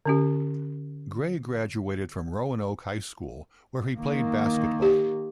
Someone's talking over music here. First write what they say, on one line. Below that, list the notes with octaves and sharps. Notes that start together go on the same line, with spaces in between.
Gray graduated from Roanoke High School, where he played basketball.
D3 C#4 G4
D#3 A#3
G4